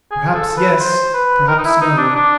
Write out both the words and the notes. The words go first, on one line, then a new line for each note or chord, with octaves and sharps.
Perhaps yes, perhaps no.
G#4
A4
B4
C5
B4
A#4
D#4
E4
D#4
D4
D4